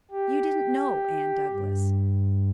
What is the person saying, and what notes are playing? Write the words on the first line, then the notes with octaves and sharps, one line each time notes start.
You didn't know Anne Douglas?
G4
G2